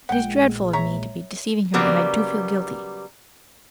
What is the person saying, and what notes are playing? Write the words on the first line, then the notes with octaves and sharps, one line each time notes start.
It is dreadful of me to be deceiving her and I do feel guilty.
A#1 A#2 G#3 F#5 G5
C#5 E5 A#5
C#3 F#3 G3 A#3 B3